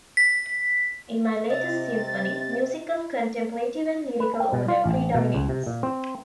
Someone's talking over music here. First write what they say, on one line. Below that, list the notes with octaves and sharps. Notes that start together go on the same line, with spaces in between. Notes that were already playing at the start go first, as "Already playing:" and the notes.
In my latest symphony, music of a contemplative and lyrical order predominates.
B6
C3 D#5 E5 A6
B4
G5
B2
F4
A1
B2
C#2
C3
A#2
C4